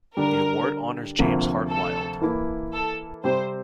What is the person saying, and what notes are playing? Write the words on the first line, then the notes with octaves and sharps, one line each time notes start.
The award honors James Hart Wyld.
D3 G3 D4 A#4
D2 C3 F3 A#3
A4
E3 A#3 E4
A4
C3 G3 C4 G4 C5